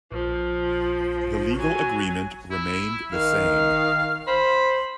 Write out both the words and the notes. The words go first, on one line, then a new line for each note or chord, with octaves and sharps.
The legal agreement remained the same.
A#1 F3
F#3 G#5
E4
D#3 F5
C5 B5